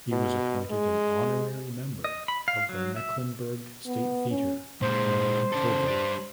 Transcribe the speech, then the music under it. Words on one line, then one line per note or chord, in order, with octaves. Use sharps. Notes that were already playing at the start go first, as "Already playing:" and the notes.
He was appointed an honorary member of the Mecklenburg State Theatre and Coburg.
B2
G#3
D#5
B5
F5
F#3
E5
B3
C#4
A#2 G#3 C5
C#3 A4
G3 D4